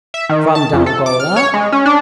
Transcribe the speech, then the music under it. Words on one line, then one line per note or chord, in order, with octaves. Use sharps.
"From Dongola?"
E5
D#3
A5
F2
A4
D6
F6
C#5
G#3
C#4
D4